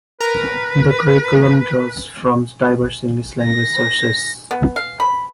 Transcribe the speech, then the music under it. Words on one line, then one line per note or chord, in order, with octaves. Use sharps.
The curriculum draws from diverse English language sources.
A#4 B4 A#5
A#6
B3
F5
B5